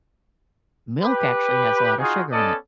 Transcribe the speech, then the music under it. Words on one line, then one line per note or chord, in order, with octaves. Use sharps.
milk actually has a lot of sugar in it.
G4 B4
D#4 F4 F#4 G#4
B3 C#4 A4 D5 D#5